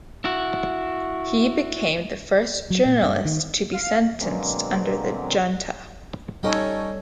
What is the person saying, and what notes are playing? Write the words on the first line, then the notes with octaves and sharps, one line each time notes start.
He became the first journalist to be sentenced under the junta.
E4 F#4
F#3
A#2
G2
D#3
F5
B2 D3 F#3 G#3 A#3 C4
G3 C#4 D#4 A4 C#5 G5